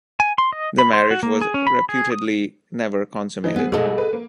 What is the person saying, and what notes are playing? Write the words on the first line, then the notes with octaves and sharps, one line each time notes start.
The marriage was reputedly never consummated.
G#5
C6
D#5
B5
C5
F#4
A#3
G#4
C#4
B5
G#4
D#6
E3 D#4
B3 C4 G#4
A#1 G#2 B2 G#4 A4 D#5
G3
B4
A#3